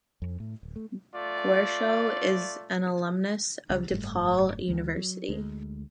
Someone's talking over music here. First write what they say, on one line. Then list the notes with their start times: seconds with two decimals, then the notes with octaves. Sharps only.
Guercio is an alumnus of DePaul University.
0.22 F2
0.40 A2
0.63 D1
0.76 A3
1.14 A3 F4 D5
3.70 C2 C#3 F#3 G3
3.91 F#1 G#2 G3 A3
4.68 D2 D#3 G#3
4.96 F#3
5.29 D2 G#3